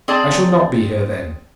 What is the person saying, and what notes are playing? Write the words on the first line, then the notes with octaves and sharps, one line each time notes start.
'I shall not be here then.'
C4 G#4 D5 A5